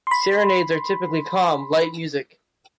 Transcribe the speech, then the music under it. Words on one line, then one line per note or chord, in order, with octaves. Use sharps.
Serenades are typically calm, light music.
B5 C6